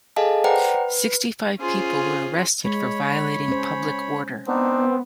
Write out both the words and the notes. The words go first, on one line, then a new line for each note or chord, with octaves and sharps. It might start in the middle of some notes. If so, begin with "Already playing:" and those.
Sixty five people were arrested for violating public order.
G#4 A4 D#5 F5 G#5 A5
B4 C5 D5 F#5 G5 A#5
B4
C#4 F4 G#4 C5
G#3 C#5 B5
C#4 C5
B3 C4 D4 D#4